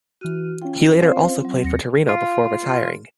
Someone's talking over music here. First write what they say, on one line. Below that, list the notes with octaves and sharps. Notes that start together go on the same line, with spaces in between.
He later also played for Torino before retiring.
E3 F#4 F6 D#7
C#4 F4 G5
C4 C5 F5
F#3 C4
D#2 A#6 C#7
F4